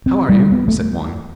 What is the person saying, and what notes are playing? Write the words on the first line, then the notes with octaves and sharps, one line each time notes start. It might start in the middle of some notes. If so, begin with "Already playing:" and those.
"How are you?" said one.
C4
G3
B3
A3